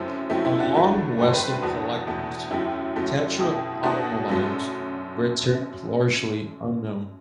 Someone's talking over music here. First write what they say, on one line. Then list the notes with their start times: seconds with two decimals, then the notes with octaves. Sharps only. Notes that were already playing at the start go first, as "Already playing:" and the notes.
Among western collectors, Tatra automobiles remain largely unknown.
Already playing: F#2 F#3 A3 C4 E4
0.30 F#2 F#3 A3 E4 G4
0.45 E4 G4
0.59 D4 F#4
0.74 G2 F#3 A3 D4 F#4
1.19 G2 F#3 A3 G4 B4
1.28 C5
1.33 G4 B4
1.48 D4
1.62 E2 B2 A3 D4 F#4
2.07 E2 B2 A3
2.51 F#2 F#3 A3 E4 G4
2.96 F#2 F#3 A3
3.39 B2 A3 E4 G4
3.83 B2 A3 D4 F#4
4.28 F#2 F#3 A3